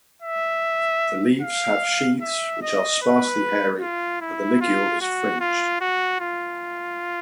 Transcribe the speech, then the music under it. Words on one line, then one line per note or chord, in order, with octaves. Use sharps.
The leaves have sheathes which are sparsely hairy and the ligule is fringed.
E5
F5
E5
D#5
B4
F4
E4
F4
F#4
F4
F#4
F4